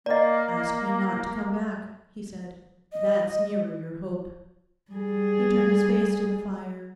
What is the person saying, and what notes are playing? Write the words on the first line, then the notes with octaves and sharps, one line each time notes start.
'Ask me not to come back,' he said; 'that's nearer your hope.' He turned his face to the fire.
A#3 D5 D#5
D#5
G3 G#4